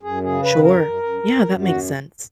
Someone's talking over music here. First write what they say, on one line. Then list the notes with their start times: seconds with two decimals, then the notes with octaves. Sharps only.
Sure. Yeah, that makes sense.
0.03 F#2 G#4
0.23 C#3 G#4
0.43 F#2 B4
0.63 F#2 A#4
0.82 F#2
1.03 F#2
1.23 F#2
1.42 F#2
1.62 D#2 F#4